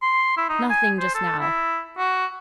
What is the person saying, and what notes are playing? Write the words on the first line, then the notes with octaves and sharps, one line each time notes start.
'Nothing just now.
C6
E4
D#4
G#5
C5
A4
E4
F#4